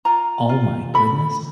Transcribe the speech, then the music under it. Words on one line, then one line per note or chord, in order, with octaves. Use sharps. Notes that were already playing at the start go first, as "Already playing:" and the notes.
Oh my goodness.
F4 A#5
F4
A4 B5